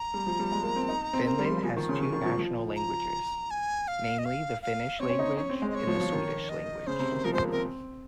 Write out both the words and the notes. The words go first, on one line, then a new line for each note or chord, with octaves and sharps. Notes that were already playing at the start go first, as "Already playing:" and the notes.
Finland has two national languages: namely the Finnish language and the Swedish language.
Already playing: A#5
G3
F3
G3
G#3
A#3
C4
D#4
C4
A#3 A#5
G3
C6
G3
F3 G#5
D#3 C#6
C#3 C6
C#3 C#6
D#3
F3
F3
A#5
G#5
F5
D#5
F5
F5
C4 C#5
C#4
D#4
C#4 C#5
C4
C5
G#3
D#5
C#5
F3
F3
D#3
D#5
C#3 C5
C3
D#3
F3 A#4
G#3 C5
A#3
C4 A#4